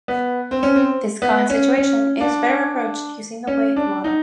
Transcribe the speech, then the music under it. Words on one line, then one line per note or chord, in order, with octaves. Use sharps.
This common situation is better approached using the Wave model.
B3
C4
C#4
C4
B3
C#4
C#4
D4
C#4
D4
D#4